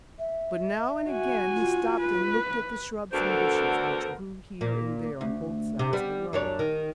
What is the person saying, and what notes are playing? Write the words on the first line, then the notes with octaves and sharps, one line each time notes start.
But now and again he stopped and looked at the shrubs and bushes which grew here and there, on both sides of the road.
E5
F#4 G#5
F4
B4
D2 D3 B3 A4 A#4 C5
A#2
D2
C3
G3 B3
F#2 D4 C#5
D#3